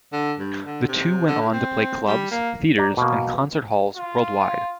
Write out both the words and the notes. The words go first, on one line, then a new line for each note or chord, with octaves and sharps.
The two went on to play clubs, theatres and concert halls worldwide.
D3
G2
D3
C3
D3
A2
C4
G3
A#3
D5 A#5
B2 A#3
F4